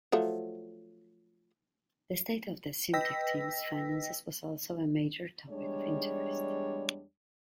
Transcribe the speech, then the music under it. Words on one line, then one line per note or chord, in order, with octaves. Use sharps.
The state of the Simtek team's finances was also a major topic of interest.
F3 F#3 A3
B4 D#5 G5 E6 A#6 B6
E2 G3 G#3 D4 C#5